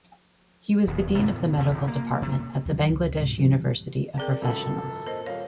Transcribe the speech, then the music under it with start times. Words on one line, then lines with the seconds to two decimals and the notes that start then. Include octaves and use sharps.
He was the dean of the medical department at the Bangladesh University of Professionals.
0.87 D#1 E2
1.17 A2 C3 B3
1.57 D2 C3 D#3 F3
1.71 G1
1.87 A#3
2.22 C3
2.65 D2 D#3 F#3
2.88 D#1 C#2
3.19 G#2 C3 G#3
3.38 E3 F3 G3 C4
3.58 E3
4.18 C4 G#4 A#4 D5 G5
4.41 G#1 C#2 F#2 A4
5.07 A#2 A#4 C5 D#5
5.26 D#1 C#5 F5